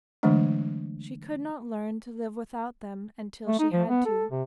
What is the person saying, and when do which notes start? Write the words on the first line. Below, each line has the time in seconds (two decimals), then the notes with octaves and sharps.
She could not learn to live without them until she had to.
0.23 D3 E3 F#3 G#3 A3 D4
3.47 A3
3.59 D#4
3.72 F3
3.88 B3
4.06 A4
4.31 C3